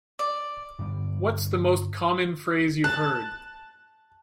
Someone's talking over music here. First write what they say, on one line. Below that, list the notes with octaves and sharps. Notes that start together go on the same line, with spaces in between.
What's the most common phrase you've heard?
D5
G2 D3 G3 B3
A5 F#6